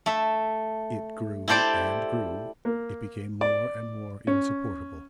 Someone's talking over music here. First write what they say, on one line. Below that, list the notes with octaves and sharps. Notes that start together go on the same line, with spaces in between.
It grew and grew, it became more and more insupportable.
A3 E5
E4 G4 A4 C5 D5
A#3
D5
C#4